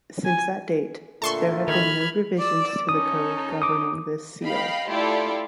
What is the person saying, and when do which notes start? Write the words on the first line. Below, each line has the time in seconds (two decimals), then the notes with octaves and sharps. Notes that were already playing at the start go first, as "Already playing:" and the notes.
Since that date, there have been no revisions to the code governing this Seal.
0.25 G#5
1.22 A#2 D3 A3 A5 C6 C#6
1.68 D#3 B5 F6 G#6
2.37 D5 E6
2.89 C#4 D#4 A4 D#6
3.62 D6 D#6
4.43 D#5 F5 G5 B5
4.87 A3 E4 F4 G4 A4 D5